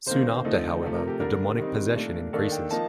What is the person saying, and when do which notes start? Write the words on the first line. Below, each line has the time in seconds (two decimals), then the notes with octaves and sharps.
Soon after, however, the demonic possession increases.
0.06 C3 D#3 A#3 C5
0.45 D3 F3 A3 C4 D#4
0.83 C3 F3 A3
0.95 A#4
1.08 G4
1.20 D3 G3 D4 A#4
1.58 D#3 G3 C4 D#4
1.96 A#2 A3 D4
2.33 D#3 A#3 D4 A4
2.52 G5
2.71 F3 A#3 D#4 A5